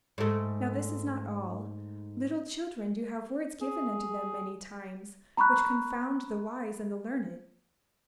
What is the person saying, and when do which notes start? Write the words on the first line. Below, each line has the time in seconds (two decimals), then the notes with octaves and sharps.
Now this is not all; little children do have words given unto them many times which confound the wise and the learned.
0.18 G#2 A3
3.61 G#4
5.37 A#5 B5 C#6 F#6